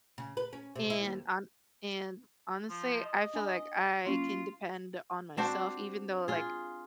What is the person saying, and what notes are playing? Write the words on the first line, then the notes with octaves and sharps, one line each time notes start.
and on and honestly, I feel like I can depend on myself even though, like,
C#3
B4
C#4
C3
E4
D#2
F3
D#5
D4 G#5 B5
F#3 A#3 C#4 F4
C4 D4 F#4 C5
F4 G#4